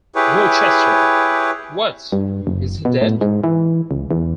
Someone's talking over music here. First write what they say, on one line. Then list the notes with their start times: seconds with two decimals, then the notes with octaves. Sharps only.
"Gloucester:" What, is he dead?
0.15 E4 G4 G#4 B4 C#5
2.12 G2
2.47 F#1
2.85 B2
3.02 A2
3.21 G#2
3.44 E3
3.91 C#2
4.11 E2